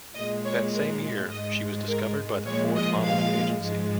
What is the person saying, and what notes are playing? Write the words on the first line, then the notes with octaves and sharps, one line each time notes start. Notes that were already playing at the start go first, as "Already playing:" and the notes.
That same year, she was discovered by the Ford modeling agency.
A#2 G#3 D#5
C#5
A#4
G#2 G#3 D#5
A#4
A#2 F3 G#3 C#5
D#5
F5
G#2 F3 G#3